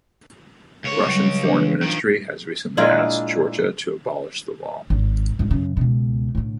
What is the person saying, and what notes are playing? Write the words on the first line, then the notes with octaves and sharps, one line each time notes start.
Russian Foreign Ministry has recently asked Georgia to abolish the law.
C#2 C#5
F#3 G3
E3 D4 B4
D#3 F3
A#2 G#3 D4 E4 D#5 F5
G#1
G#1 G3
F#2 C#3
C#2 B2
A2 D3